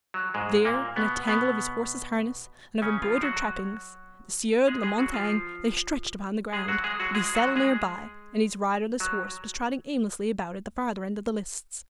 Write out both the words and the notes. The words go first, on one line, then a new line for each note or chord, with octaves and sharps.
There, in a tangle of his horse's harness and of embroidered trappings, the Sieur de la Montaigne lay stretched upon the ground, with his saddle near by, and his riderless horse was trotting aimlessly about at the farther end of the lists.
F#3
G#2 G#3
A#2 A#3
B2 B3
B2 B3
C#3 C#4
F3 F4
F#3 F#4
G#3 G#4
G#3 G#4
F#3 F#4
F3 F4
G#3 G#4
F#3 F#4
G#3 G#4
F#3 F#4
G#3 G#4
F#3 F#4
G#3 G#4
F#3